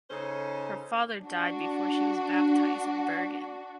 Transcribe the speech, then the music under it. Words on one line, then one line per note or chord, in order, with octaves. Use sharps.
Her father died before she was baptized in Bergen.
C#3 C#4 D#4 A4 C5
D4 F#4